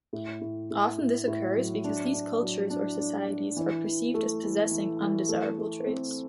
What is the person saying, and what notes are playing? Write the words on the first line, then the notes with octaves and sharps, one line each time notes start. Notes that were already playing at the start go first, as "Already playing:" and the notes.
Often this occurs because these cultures or societies are perceived as possessing "undesirable" traits.
A2
A2
A2
A2
A2
F#3
D4
D4
F#3
D4
D4
D4
E3
E3
A3
E3
E3
E3
A3
A3
C4